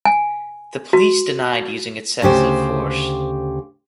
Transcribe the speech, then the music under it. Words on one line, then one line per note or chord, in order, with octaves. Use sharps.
The police denied using excessive force.
G#5
F#4
D2 C#3 G4 C5